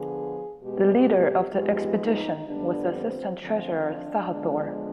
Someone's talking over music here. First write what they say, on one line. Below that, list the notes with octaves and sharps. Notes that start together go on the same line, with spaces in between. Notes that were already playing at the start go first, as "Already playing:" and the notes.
The leader of the expedition was the "assistant treasurer" Sahathor.
Already playing: D3 F3 B3 G#4
B2 G#3 B3 G4
G#2 F3 G#3 B3 G4
D#4
F2 D3 G3 B3 D4
C4
D3 F3 C4
D4
D3 F3 G#3 B3